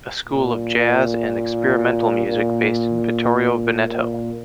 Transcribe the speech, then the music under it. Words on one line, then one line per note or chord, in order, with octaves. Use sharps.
A school of jazz and experimental music based in Vittorio Veneto.
A#2
A#2
A#2